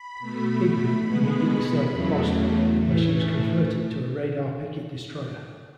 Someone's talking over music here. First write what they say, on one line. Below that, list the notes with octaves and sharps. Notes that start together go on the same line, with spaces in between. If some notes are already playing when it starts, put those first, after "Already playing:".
"Higbee" immediately sailed to Boston, where she was converted to a radar picket destroyer.
Already playing: B5
B2 A3
B2 G#3 B3
E2 C#3 F#3 A3
A2 E3 A3